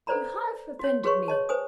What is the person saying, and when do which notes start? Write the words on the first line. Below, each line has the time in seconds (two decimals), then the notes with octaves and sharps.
"You have offended me."
0.07 A4 B4 C5 D5 A#5 B5
0.79 F#4 C#5
1.04 F#4 G#4 B4 C#5 C#6
1.28 C#5 D#5 A5
1.49 B4 C5 G#5 D#6